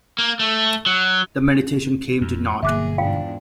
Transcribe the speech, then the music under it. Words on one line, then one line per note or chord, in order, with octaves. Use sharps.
The mediation came to naught.
A#3
A3
F#3
F2
G1 B2 F#3 A#3 G#4 E5 D6 F#6
E2 G#2 D4 F4 F5 G5